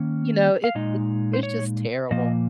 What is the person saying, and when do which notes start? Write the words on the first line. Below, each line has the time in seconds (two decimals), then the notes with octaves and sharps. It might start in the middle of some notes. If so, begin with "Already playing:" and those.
You know, it it's it's just terrible.
Already playing: D#3 A#3 C#4
0.64 F5
0.75 A#2 G#3 D#4 D#5
1.33 C5
1.43 C#5
2.11 A#2 F3 A#3 D#5